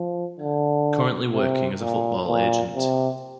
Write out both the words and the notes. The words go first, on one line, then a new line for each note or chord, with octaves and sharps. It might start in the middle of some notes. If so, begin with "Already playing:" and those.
Currently working as a football agent.
Already playing: F3
D3
C3
A#2
A#2
C3